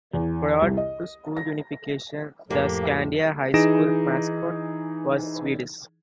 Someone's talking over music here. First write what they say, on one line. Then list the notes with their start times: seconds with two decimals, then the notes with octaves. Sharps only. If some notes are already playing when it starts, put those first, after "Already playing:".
Prior to school unification, the Scandia High School mascot was Swedes.
0.13 E2
0.62 C2
0.77 D#5
1.37 A#6
2.51 F2 A2 A#3 G4
3.54 E3 D#4 G#4 A#6 D7 E7